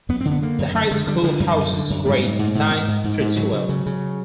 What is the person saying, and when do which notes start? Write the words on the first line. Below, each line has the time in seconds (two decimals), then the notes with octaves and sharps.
The high school houses grades nine through twelve.
0.09 F#2 B3
0.21 D3 C4
0.31 B3
0.42 D3 A#3
0.58 F#2
0.75 D3 A3
0.91 D3 G#3
1.07 D3 G3
1.23 D3 F3
1.40 F#2 G3
1.57 D3
1.73 D3
1.90 F#2
2.05 G#2 G3
2.22 G#2
2.39 G#2
2.55 G#2
2.71 G#2
2.88 G#2
3.04 G#2
3.20 G#2
3.36 C#3 F#3
3.53 C#3
3.69 C#3
3.86 C#3